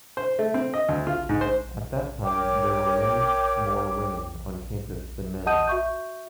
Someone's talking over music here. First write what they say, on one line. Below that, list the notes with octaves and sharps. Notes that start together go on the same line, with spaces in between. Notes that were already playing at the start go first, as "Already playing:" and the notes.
At that time, there were many more women on campus than men.
C5
A3
C4
D#5
D2
F4
G#2
C5
A#4 C#5 G5 D6
D#5 F#5 A5 D#6 G6 D#7
F#4 E5 C#6 G6